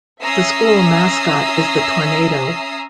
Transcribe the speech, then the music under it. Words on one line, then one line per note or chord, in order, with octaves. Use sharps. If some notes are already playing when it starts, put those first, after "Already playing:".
The school mascot is the Tornado.
C#4 E5 A#5 D#6 E6 C7